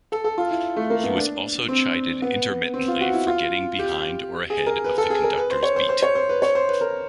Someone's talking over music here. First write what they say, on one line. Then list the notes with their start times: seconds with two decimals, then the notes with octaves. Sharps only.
He was also chided intermittently for getting behind or ahead of the conductor's beat.
0.12 A4
0.24 A4
0.38 F4
0.51 E4
0.76 A3
0.90 A#3
1.04 B3
1.16 D4
1.68 C4
2.22 B3
2.74 C4
2.88 F4
3.01 F#4
3.13 E4
3.27 F4
3.79 G4
4.50 G#4
4.66 A#4
4.84 B4
4.98 A4
5.10 G#4
5.24 A#4
5.37 B4
5.50 C5
5.63 C#5
5.76 C5
5.89 C5
6.03 C#5
6.15 C5
6.29 B4
6.42 C#5
6.55 C5
6.69 B4
6.81 A#4